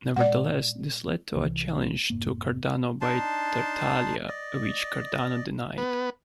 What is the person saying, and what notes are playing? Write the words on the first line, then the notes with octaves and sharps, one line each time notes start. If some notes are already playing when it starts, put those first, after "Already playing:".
Nevertheless, this led to a challenge to Cardano by Tartaglia, which Cardano denied.
A#2 G#3 D5 F#5
C2 C3 E3
F1 G#2 A#3
D4 D#4 A5 C6
D5 D#5
B3